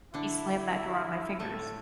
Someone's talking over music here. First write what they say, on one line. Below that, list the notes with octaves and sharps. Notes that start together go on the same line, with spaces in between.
he slammed that door on my fingers,
D3 D4 E4
A2 A3 A4